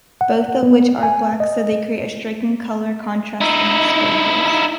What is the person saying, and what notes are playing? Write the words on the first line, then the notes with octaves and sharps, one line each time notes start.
Both of which are black so they create a striking colour contrast in exposures.
F#5
B3
G#5
D#5
D#4 E4